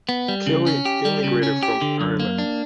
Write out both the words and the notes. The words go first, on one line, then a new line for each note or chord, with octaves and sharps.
Quealy immigrated from Ireland.
B3
G3
C#3
C#4
G4
G3
C#3
C#4
G4
D3
F#2
A#3
D4